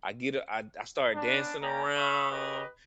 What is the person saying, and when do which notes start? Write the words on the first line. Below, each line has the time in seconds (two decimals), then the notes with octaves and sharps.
I get u I I started dancing around,
1.13 B3 C#4 D4
1.61 A#3 C#4 D5 G5 A#5
1.96 E5 F5 B5 C#6
2.30 G4 A#4 B4 C#5 D#5